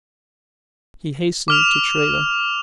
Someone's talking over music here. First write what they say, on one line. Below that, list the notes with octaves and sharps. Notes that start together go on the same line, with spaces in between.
He hastened to Tredah.
D6 F6 F7